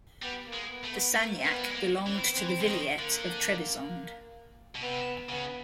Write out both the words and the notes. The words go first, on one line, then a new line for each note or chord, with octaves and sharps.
The sanjak belonged to the vilayet of Trebizond.
G3 B3
A#3
G#3
B3
A3
B3
A3 A#3
C4
G#3 B3
G3
G#3
A#3
E3 C#4
C4
B3
E3 C4
D3
D#3
D3 A#3
B2
C3 B3
C#3 B3